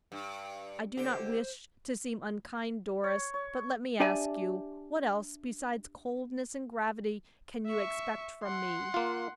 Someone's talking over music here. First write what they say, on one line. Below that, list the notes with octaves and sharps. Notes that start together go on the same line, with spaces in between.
"I do not wish to seem unkind, Doris, but let me ask you--what else besides coldness and gravity can you expect from me?"
G2
D3 G4 C5
C#5
C#5
D4 G4 D5 E5 G#5 A5
E5 C#6
F#5 C6
A#3 F4